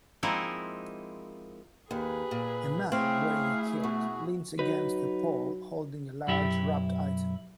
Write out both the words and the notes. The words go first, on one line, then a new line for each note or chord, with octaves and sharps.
A man wearing a kilt leans against a poll holding a large wrapped item.
F3 G#3 A#3 C4 D#4 E4
D#2 G#4 B4
A#2
A3 C4 E4 G#4 C#5 F5
B2 F#4
F#3 D#4 B4
B1 F#2 E4 G4 E5